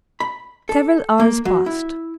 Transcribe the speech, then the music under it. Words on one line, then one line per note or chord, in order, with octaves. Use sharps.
Several hours passed.
B5
A4
A#3
F#3
E4